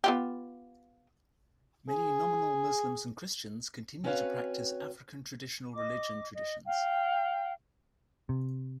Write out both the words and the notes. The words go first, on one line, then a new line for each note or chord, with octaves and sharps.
Many nominal Muslims and Christians continue to practice African Traditional Religion traditions.
B3 F4 G4
G#4
C4 C#4 F#4 B4 C#5 F5
D#5 D6
D#5
F5 G5
C3